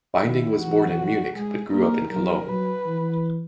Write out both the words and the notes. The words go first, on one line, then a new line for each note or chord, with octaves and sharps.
Binding was born in Munich but grew up in Cologne.
D#3 E4
E3 F#4
G#3 G#4
A#3 A#4
F#3 A#4
F#3 B4
E3